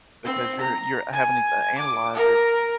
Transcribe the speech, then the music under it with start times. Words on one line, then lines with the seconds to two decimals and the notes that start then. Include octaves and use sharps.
because you're you're having it to analyze it
0.24 C4
0.60 A#5
1.13 G#5
1.78 D6
2.15 A#4